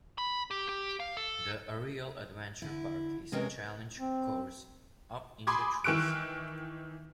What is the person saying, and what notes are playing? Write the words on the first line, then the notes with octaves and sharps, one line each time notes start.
The Aerial Adventure Park is a challenge course up in the trees.
B5
G4
G4
F5
A4
D3 E4
C3 G#3 C#4 A#4 B4 G5
C4
G#5 B5 C6 D6 D#6 G#6
D#3 E3 C#6 E6 F#6 D7